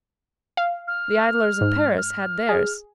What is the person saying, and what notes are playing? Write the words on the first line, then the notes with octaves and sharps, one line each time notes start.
The idlers of Paris had theirs.
F5
F6
G#2
F6
G#4